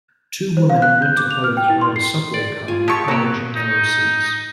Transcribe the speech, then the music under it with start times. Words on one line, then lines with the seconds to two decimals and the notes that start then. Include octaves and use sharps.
Two women in winter clothes ride in a subway car with orange and yellow seats.
0.57 C5
0.69 F5
0.82 F#6
1.02 G6
1.17 D6
1.31 F7
1.44 F6
1.57 G5
1.70 E4
1.81 C6
1.96 C7
2.34 D5
2.68 F4 G#5
2.88 G#3 E4 G4 A5 C#6
3.08 F#3 A#3 F#4 G4 D5
3.57 D#4